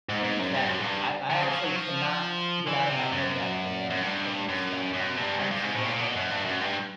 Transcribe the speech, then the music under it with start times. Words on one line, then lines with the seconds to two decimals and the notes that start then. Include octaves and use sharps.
and, in fact, I I actually cannot get out of my head that banana pudding stuff, I'm actually gonna write that down.
0.09 G#2
0.24 G#2
0.39 F#2
0.54 G2
0.69 F#2
0.80 G#2
0.84 G2
1.30 D3
1.42 C#3
1.48 E3
1.53 F3
1.65 F#3
1.76 F3
2.67 E3
2.89 C3
3.12 F#2
3.90 F#2
4.02 G2
4.49 F#2
4.93 F#2
5.17 G2
5.39 G2
5.51 G2
5.62 G#2
5.74 A2
5.85 A#2
5.99 B2
6.16 F#2
6.31 G2
6.45 F#2
6.61 G2